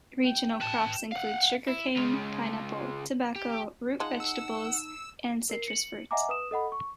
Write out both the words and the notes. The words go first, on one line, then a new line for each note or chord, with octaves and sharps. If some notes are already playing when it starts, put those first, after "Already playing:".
Regional crops include sugarcane, pineapple, tobacco, root vegetables, and citrus fruits.
G5
B4 A5
F5 F#5
E4
C#3 G#3
G4
G#3 D#4 F4 F#5 A5
E6
A#4 C7
C#7 F#7
D#5 E5 F#5 G#5 A#5 D6
B4 D#6 E7
A4 D#5 F#5 B5
C#6